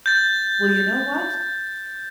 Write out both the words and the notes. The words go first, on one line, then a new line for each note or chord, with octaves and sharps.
"Well, you know what?
G6 A6